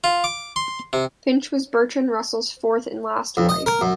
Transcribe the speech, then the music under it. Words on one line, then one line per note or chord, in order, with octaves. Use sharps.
Finch was Bertrand Russell's fourth and last wife.
F4
D6
C6
C3
F2
D#5
A#4
F#2